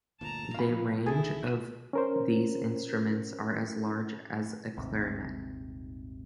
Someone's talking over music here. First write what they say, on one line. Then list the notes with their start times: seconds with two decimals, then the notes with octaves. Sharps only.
They range of these instruments are as large as a clarinet.
0.21 G1 D2 A#2 A5 A#5
0.54 G#2 B2 F3 F5 B5
1.06 C2 D#3 E4 G#4 A4
1.93 C#4 A#4 C5
4.77 D#1 G#1 G#2 C3